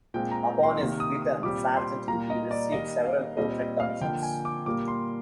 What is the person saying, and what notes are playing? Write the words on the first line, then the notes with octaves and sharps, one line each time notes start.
Upon his return, Sargent quickly received several portrait commissions.
A#2 G#3 C4 G5
A#5
C6
C3 D#3 A#3
D#6
D#6
A#2 G3 C4 D6
C6
A#2 G3 A#3 A#5
D#5
D5
D#3 G3 A#3 D#5
F5
A#2 G3 C4 D#5
D#5
F5
D3 F3 A#3 G5
G#5
D6
A#2 G3 A#3 D6
C6